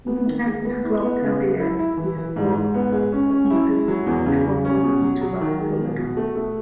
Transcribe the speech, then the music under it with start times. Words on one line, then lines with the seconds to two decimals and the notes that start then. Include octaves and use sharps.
He began his club career with Sport Recife before moving to Vasco da Gama.
0.07 B3
0.26 D#3
0.46 G#3
0.64 B3
0.83 E4
1.02 B3
1.22 C#3
1.41 G#3
1.60 E4
1.79 E4
1.97 E3
2.16 E3
2.36 G#2
2.54 G#2
2.74 B3
2.92 G#3
3.12 C#4
3.31 C#4
3.50 E4
3.68 G#3
3.88 F#3
4.06 E2
4.26 C#3
4.45 C#3
4.65 C#4
4.83 B2
5.02 F#3
5.21 F#3
5.41 D#3
5.59 G#3
5.79 B2
5.97 B2
6.17 A3
6.35 A3